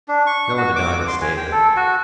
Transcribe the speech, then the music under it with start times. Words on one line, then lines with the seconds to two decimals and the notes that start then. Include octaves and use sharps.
No one denied his statement.
0.08 D4
0.27 C#6
0.58 F#4
0.76 D6
0.93 D6
1.07 C6
1.22 G#5
1.37 G5
1.52 A4
1.76 F#4